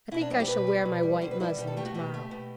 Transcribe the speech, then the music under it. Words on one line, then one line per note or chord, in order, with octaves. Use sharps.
I think I shall wear my white muslin tomorrow.
B2 E4
D4
G3 C4
G4
B2 B4
G3
B2
G3
B2 C5
B4
G3 E4
B2 G4
A4
A3 G4
F#4
B2 G4
A3
B2